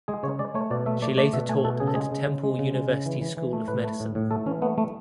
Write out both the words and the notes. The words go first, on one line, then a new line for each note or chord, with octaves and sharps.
She later taught at Temple University School of Medicine.
G#3 G#4
C#3 C#5
G#3 D5
A3 C#5
B2 D5
A3 E5
A3 D5
A3 D5
B2 E5
A3 G#5
B2 A4
C#3 G#4
A4
G#3 G#4
C#3
C#3
G#3
C#3
G#3
C#3
E3
E3
E3
A3
A2 B4
A3
A2
A2
A3 A4
E3 C#4
A3 B3
A3